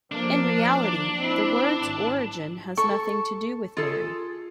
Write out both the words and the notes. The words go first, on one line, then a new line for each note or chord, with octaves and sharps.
In reality, the word's origin has nothing to do with Mary.
F3 A#3 D4
C4 E4
G#1
A4 C#6
F4 G#4 A4